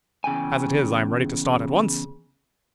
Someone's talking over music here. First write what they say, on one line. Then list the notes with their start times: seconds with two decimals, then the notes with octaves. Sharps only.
As it is, I am ready to start at once.
0.24 E2 C#3 G5 G#5